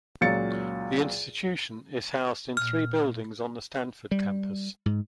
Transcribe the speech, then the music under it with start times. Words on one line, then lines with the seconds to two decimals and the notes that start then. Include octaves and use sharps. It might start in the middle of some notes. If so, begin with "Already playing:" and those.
The institution is housed in three buildings on the Stanford campus.
0.21 C#2 A#2 F#3 A6 C#7
2.57 A#2 F6
4.11 G3
4.86 G#2